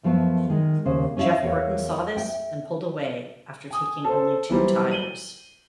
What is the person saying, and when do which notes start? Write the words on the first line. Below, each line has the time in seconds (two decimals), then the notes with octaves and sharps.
Jeff Burton saw this and pulled away after taking only two tires.
0.03 F#2 F3 A3 B3
0.49 D#3 G#3
0.85 D#2 C#3 C5
1.17 C#4 E4 G#4 E5 F5
1.42 E2 A#4 C#5 F5 F#5
2.17 E5 G5
3.70 G#5 D#6
4.04 A4 C5
4.49 E3 F#3 G3 C5
4.91 D#7 F#7 G7